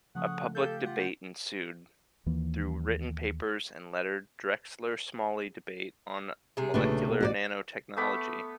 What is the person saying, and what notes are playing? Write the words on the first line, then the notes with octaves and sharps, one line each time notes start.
A public debate ensued through written papers and letters Drexler-Smalley debate on molecular nanotechnology.
C#3 F3 A3 F#5 C#6 D#6
G4 A4 F5 G6
F4 F#5
D#2 E3 A#3
C3 G#4
A#1 C#3 A3 D4 B4
B2 A#3
A1 F#4 A#4 D5
A3 B3 B5 D6